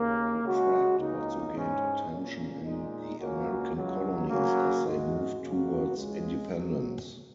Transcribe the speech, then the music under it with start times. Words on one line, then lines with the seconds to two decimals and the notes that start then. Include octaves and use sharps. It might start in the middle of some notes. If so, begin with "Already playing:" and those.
The tract also gained attention in the American colonies as they moved towards independence.
Already playing: D#2 C#3 A#3
0.44 C#3 G#3 F#4
0.99 C#2 C#3 A#3 D#4
1.55 G#2 G#3 C#4
2.09 A#2 A#3 C#4
2.64 A#2 G#3 D#4
3.20 C#2 C#3 A#3 C#4 F#4
3.75 C#2 C#3 F#3
4.30 C#3 F#3 A#3 C#4 F#4
4.86 G#2 G#3 F#4
5.40 F#2 C#3 A#3 F#4
5.96 C#2 C#3 G#3
6.51 C#2 C#3 F#3